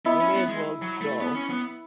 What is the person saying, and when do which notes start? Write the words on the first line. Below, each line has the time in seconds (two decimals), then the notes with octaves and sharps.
we may as well go,"
0.05 B3 E4
0.20 C#4
0.34 B3
0.48 G#3
0.82 F#3
1.01 A3
1.20 B3
1.35 C#4
1.50 B3